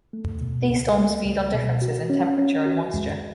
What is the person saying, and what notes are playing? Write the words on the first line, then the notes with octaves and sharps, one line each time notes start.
These storms feed on differences in temperature and moisture.
A3
B2
C#2
A3
C#2
B2
F#4
C#4
C#4
F#4
G#3